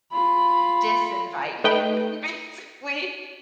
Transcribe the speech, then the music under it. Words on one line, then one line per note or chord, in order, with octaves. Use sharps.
disinvite him, basically."
F4 B5
A3 D#4 B4 G5